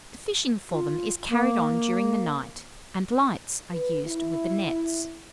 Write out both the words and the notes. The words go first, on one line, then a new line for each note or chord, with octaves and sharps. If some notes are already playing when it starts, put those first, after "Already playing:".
The fishing for them is carried on during the night, and lights are used with the nets.
F4
A#3
B4
E4